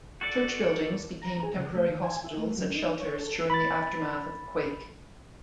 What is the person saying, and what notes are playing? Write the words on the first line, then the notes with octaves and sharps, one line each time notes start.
Church buildings became temporary hospitals and shelters during the aftermath of the quake.
F#4 A4 D5
A#5
G#4
C#3
A3
D#3
G#5
E4
A3
F#3
D#4
C#5
A4
B5 A6